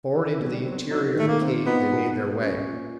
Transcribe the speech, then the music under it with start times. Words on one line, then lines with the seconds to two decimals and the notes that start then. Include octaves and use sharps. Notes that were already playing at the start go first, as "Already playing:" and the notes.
Forward into the interior of the cave they made their way.
0.14 E3 D#4
0.34 E3
0.40 B2
0.46 F#3
0.53 G3
0.65 C4
0.71 F#3
0.91 F#3 D#4
1.16 D#3 A3
1.28 A#3
1.41 C4
1.66 B3 D#4
1.92 B2
2.17 B3
2.43 C#4
2.68 A#2